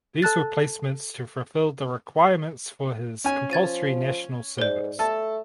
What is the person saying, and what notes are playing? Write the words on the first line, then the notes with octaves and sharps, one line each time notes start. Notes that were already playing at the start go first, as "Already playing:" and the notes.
These were placements to fulfil the requirements for his compulsory national service.
A4 A5 F#6 A6
C#4 G#5
F3 G#6 A6 D#7
G#2 C5 D5
A3 A4 A5